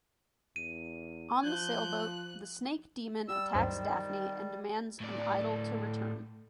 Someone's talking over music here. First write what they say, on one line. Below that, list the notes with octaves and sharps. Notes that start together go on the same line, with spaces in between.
On the sailboat, the snake demon attacks Daphne and demands an idol to return.
E2 D#7
F3 F#6 G6
G3 E6
D2 G2 D#3 F#3 C5
A2 D5